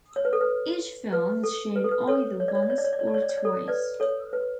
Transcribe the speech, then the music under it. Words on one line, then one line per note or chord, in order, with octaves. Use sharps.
Each film is shown either once or twice.
C#5
B4
A4
B4
B4
A4
B4
A4
B4
A4 C#5
C#5
D5
C#5
D5
C#5
D5
C#5
D5
C#5
D5
C#5
D5
C#5
D5
A4 C#5
B4 D5
A4 C#5
B4